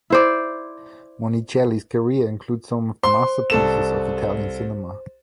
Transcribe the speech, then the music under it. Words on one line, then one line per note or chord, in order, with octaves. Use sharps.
Monicelli's career includes some of the masterpieces of Italian cinema.
E4 C5 D5
C5 C6
C2 A4 E7